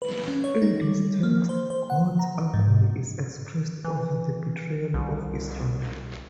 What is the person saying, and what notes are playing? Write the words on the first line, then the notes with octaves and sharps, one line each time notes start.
In this text, God's agony is expressed over the betrayal of Israel.
B4
C#4
C#5
D#4
G3
A#3
C5
C5
F#5
A#5
G#2
E3
C2